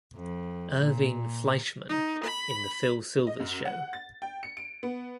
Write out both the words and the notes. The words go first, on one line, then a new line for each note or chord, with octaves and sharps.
Irving Fleischman in "The Phil Silvers Show".
F2
A#2
D#4
B5
D#5
F#2
F#5
A6
G5
C#7
D7
B3